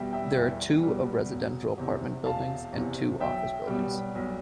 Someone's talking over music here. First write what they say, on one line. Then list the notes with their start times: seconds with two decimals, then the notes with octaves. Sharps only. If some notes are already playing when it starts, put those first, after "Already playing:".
There are two of residential apartment buildings, and two office buildings.
Already playing: E2 B2 G3 E5 G5
0.13 E5 G5
0.37 E2
0.83 B2 G3
1.31 E1
1.78 E2 C3
2.26 E1 F5 A5
2.73 E2 C3
3.20 B1 E5 G5
3.67 B2 G3
4.15 B1